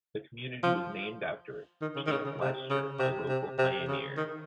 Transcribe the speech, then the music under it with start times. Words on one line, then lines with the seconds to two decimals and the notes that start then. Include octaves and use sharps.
The community was named after Champ Lester, a local pioneer.
0.63 F3
1.81 D#3
1.96 C#3
2.06 D#3
2.11 C#3
2.26 C#3
2.41 C3
2.70 C#3
2.99 C3
3.29 C3
3.58 C3
3.88 C#3
4.17 D#3